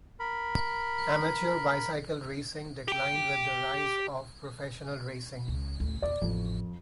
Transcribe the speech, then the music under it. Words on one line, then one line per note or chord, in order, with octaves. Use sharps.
Amateur bicycle racing declined with the rise of professional racing.
A#4 B5
G4 G5
C#2
A1 D2
E2 A#2 D5
A1 F2